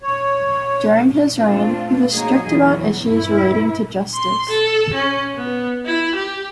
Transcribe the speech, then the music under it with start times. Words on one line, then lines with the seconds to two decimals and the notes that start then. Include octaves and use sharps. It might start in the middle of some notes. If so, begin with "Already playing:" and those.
During his reign, he was strict about issues relating to justice.
0.02 C#5
1.35 A3 C4 D4 F4
2.13 F#3 A#3 D#4 G#4
2.48 E2 E3 F#3
3.07 G2 E4
4.14 C6
4.49 A4
4.94 C#4
5.35 B3
5.85 E4
6.15 G4